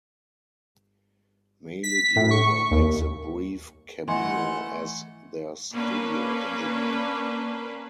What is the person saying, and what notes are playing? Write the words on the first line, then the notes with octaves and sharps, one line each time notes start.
Malik Yoba makes a brief cameo as their studio engineer.
B6
A2
C#6
D#2
E3 A3 D#5 F#5 G#5 C6
A#3 C#4 D4 B4